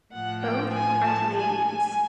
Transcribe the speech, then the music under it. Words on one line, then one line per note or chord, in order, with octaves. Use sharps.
Both are Canadians.
A2 F3 F#5
G5
G#5
A5
G#5
G#5